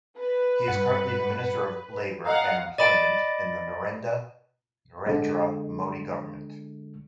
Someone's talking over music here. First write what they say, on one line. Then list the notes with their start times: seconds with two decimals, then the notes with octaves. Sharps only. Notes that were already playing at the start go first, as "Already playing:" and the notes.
He is currently the Minister of Labour and Employment in the Narendra Modi Government.
0.18 B4
0.67 G2 F#5 C#7
2.26 D#5 F5 F#5 A#5
2.78 D5 D#5 B5 A6 D7
5.07 D3 G#3